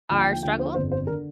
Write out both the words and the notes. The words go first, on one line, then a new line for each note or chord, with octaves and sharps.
our struggles.
D#2 D3 F3 G5
G5
G5
D#2 D3 F3 G5
C5
G1 F2 D3 C5
C5
A#4
D3